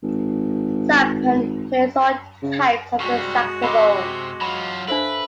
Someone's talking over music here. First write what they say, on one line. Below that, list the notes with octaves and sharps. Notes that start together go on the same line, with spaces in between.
Sampen plays all types of the saxophone.
G#1
C#3
C3 G3 G#3 F#4 C#6
C3 D#5 B5 C6 D6
F#3 F4 B5
D4 A4 B4 C5 E5 F5